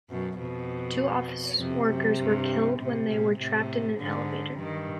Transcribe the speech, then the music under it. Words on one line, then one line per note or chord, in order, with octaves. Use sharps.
Two office workers were killed when they were trapped in an elevator.
F#2 B2
F2 B2
F2 C3
F#2
G2
A2 C3
A#2
A2 C3
G#2 D3
G2 D#3